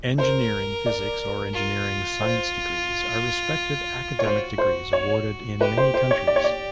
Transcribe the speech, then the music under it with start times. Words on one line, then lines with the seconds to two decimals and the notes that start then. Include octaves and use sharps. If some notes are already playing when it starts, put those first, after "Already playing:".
Engineering physics or engineering science degrees are respected academic degrees awarded in many countries.
0.18 A#4 C5
0.86 D5
1.54 F4
2.21 C5
4.19 C#5
4.24 F#4 C5
4.58 C5
4.93 C#5
5.60 G4 B4
5.77 C5
5.94 C5
6.11 C#5
6.27 D5
6.36 C#5
6.44 D5